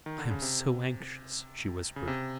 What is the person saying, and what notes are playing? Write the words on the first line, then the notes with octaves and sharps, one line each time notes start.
"I am so anxious," she whispered.
D#3
D3
C#3
C3
C#3
C3